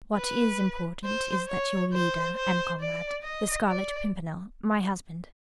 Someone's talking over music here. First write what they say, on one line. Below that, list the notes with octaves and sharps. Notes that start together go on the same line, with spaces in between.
What is important is that your leader and comrade, the Scarlet Pimpernel . . . my husband . . .
B4
C5
C#5
C5
C5
D5
D#5
D5